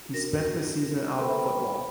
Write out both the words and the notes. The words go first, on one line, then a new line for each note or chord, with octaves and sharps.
He spent the season out of football.
D4 F#4 A#4 A#6
A4 B4 C5 E5 G5 B5